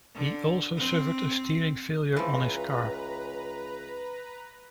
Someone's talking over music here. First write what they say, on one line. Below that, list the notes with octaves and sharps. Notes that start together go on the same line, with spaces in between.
He also suffered a steering failure on his car.
D3
C4
C#2 E3 F3 B4 A#5